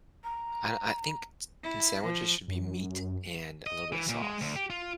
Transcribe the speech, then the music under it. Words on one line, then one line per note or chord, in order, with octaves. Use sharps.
I I think ts in sandwiches, should be meat and a little bit of sauce.
A#5
E4
F3
F#2
D#5
E3
A#2
G#3
D2
G4
F4